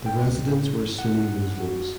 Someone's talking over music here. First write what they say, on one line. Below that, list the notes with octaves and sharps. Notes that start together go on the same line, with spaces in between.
The residents were Sunni Muslims.
G5
C#2
A2
F#5
F#4